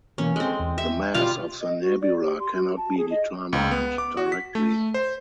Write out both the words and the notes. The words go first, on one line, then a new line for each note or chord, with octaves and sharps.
The mass of the nebula cannot be determined directly.
B2 E3 A#3 C#4
G#3 C4 G#4 A4
E2
E5
B2 G3 F4 F5
D#5
F#4
D5
G4
C6
F#4
A5
G#4
D#5
C#2
B3
D6
F#4
B6
A3
C5